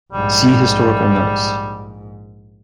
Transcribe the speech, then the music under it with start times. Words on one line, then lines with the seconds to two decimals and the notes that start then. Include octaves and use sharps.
See historical notes.
0.13 A#1 G#2 G3